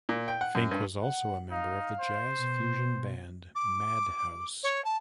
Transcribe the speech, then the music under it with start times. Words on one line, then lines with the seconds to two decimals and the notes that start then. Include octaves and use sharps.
Fink was also a member of the jazz-fusion band Madhouse.
0.09 A#2
0.28 G5
0.41 F#5
0.55 F#2
0.71 G2
1.01 F#5
1.51 D#4 F5
1.99 C5
2.38 B2
3.55 D6
4.63 C#5
4.85 A5